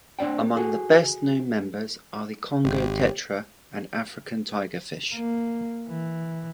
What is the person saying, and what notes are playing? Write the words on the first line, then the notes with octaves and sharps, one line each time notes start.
Among the best known members are the Congo tetra, and African tigerfish.
C4 D4 D#4 D5 G5
F#4 G#4 A4
G#1 G4
A#3
E3